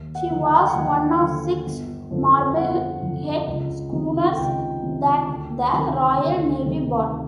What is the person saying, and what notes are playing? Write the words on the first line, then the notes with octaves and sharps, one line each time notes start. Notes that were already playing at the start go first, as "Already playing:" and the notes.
She was one of six Marblehead schooners that the Royal Navy bought.
Already playing: D#2
F#5
D3 F3
G#5
G5
F#5
D#2
G5
D3 F3
G1
F2 D3 F3
G1 F#5
F2 D3 F3
C#2
C3 D#3
C#2 G5
C3 D#3
D2
C3 D#3
D2
C3 D#3